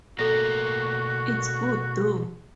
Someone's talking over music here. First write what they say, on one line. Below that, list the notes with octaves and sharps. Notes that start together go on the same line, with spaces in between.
It's good though!
B2 A#3 F#4 A4 A#4 A#6